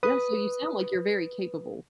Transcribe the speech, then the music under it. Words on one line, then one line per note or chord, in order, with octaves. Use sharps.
Yeah, so you sound like you're very capable.
B4 D#6